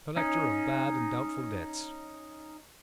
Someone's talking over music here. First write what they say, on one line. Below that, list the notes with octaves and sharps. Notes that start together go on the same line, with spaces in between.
Collector of bad and doubtful debts.
C#4 D#4